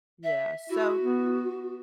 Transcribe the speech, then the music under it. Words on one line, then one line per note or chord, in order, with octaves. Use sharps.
Yeah, so,
E5
E4 F#4
B3